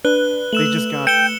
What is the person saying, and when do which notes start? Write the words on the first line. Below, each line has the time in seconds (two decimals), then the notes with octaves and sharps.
They just got
0.05 D4 B4 F#6 G7
0.53 A3 E6 E7 F#7
1.07 G5 C#7 E7 G7